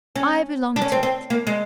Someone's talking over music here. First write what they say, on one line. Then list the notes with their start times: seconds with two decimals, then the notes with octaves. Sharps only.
I belong to it.
0.16 C#4
0.76 D4
0.82 C#4
0.92 C4
1.03 C4
1.30 A#3
1.47 G#3